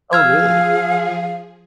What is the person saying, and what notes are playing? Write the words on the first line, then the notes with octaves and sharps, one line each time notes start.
Oh, really?
F3 G#4 F5 E6 F6 G#6